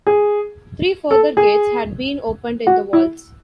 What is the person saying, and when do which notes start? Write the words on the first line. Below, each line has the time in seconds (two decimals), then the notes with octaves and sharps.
Three further gates had been opened in the walls.
0.07 G#4
1.11 A4
1.37 G#4
2.67 F#4
2.93 E4